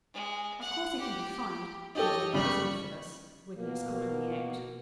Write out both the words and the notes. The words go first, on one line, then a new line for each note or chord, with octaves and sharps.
Of course he can be fined--even imprisoned for this--when he is caught in the act.
G#3
F#5
G4
D#4 G4 A4 C#5 D#5
C#3 G3 B5 C#6
B2 A#3